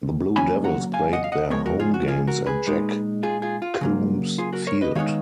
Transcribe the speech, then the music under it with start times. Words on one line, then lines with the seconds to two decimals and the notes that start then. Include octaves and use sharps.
The Blue Devils played their home games at Jack Coombs Field.
0.36 C#3 F#3 A#3 C#4 G#5 B5
0.64 F#5 A#5
0.94 F5 G#5
1.13 D#5 F#5
1.24 F5
1.32 D#5 F#5
1.50 C#3 F3 G#3 B3 A#4 C#5
1.66 F#4 A#4
1.80 F4 G#4
1.94 F#4
2.08 F4 G#4
2.27 F#4 A#4
2.46 G#4 B4
2.66 A#2 G#3 D#4
3.23 F4 G#4
3.42 F4 G#4
3.62 F4
3.81 C#3 F#3 A#3
4.38 F4 G#4
4.53 F#4 A#4
4.67 A#4 C#5
4.81 B4 D#5
4.95 D#3 G#3 B3 D#4 C#5 F5